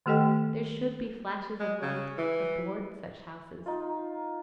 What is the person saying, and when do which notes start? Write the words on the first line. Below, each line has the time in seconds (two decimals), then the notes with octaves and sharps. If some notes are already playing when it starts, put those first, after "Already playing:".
There should be flashes of light athwart such houses.
0.06 D#3 A3 G4 A4 D#5 G5
1.60 G#3
1.82 C#3
2.18 E3
3.66 D#4 F4